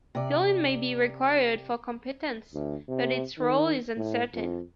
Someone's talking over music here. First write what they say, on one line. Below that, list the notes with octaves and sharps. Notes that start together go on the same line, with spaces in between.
Pilin may be required for competence, but its role is uncertain.
C3 D5
D2
C3
D#3
A2
F2